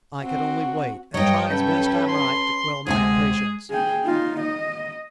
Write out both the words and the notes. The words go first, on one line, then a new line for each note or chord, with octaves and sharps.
I could only wait, and try as best I might to quell my impatience.
C4 F#4
G2 F#3 C#5 D#5 G5
C#4 A4 B4 G5
C6
D2 C3 G#3 G#4 G#5
G#4 G5
D#4 F4
D#5